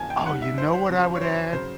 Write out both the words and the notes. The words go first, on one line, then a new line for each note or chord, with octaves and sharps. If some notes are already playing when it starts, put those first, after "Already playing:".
Oh, you know what I would add?
Already playing: E2 C#3 F3 A#3 G#5 A5
G5
D#2 D#3 G3 F#5
E5
C5
C5
F2 C#3 F#3
C#5
C5
C#3 F#3 C5